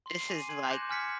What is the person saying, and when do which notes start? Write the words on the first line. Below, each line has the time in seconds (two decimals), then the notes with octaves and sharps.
this is, like,
0.06 C6 C7
0.29 G#5 D6 D#7
0.49 G#5 C6 G#6 F#7
0.70 D6 F#6 G6 A#6 C#7 E7
0.89 G#5 D6 F6 G#6 B6 C#7